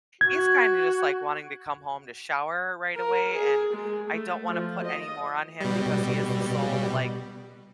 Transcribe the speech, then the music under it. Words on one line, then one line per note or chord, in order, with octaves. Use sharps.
he's kinda just like wanting to come home to shower right away, and I don't wanna put any more on him because he is the sole, like,
F#4 G#6
A#4
G#4
G#3
A3
F3
D#5
B2 G3